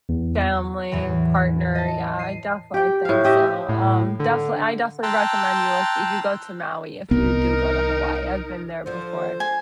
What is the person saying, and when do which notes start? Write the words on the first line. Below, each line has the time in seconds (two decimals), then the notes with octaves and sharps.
Family, partner, yeah, I definitely think so. Um, defini I definitely recommend you like, you go to Maui if you do go to Hawaii. I've been there before.
0.09 E2
0.91 E2 A2 E3 F#3
1.75 D#5 A5
2.19 C7 D#7
2.74 G4 G5
3.05 A2 F5
3.25 G4 D#5 E5
3.69 A2
4.20 D3
5.03 G5 A5 A#5 C6 E6 F#6
7.11 C2 B3 D#4 A#4
8.86 D3 F3 C5
9.40 G#5